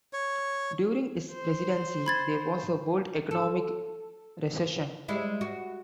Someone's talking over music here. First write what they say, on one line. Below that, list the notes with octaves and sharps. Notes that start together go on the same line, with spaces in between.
During his presidency, there was a world economic recession.
C#5
C5
B5 G#6 A6
A4
G3 G#3 E4
F#4